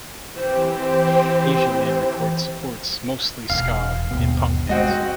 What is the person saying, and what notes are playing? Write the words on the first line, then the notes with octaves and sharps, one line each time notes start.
Asian Man Records supports mostly ska and punk bands.
E3 C4 G4 C5
E1 F5
G1 D#2 B2
G#3 C4 F#4 D#5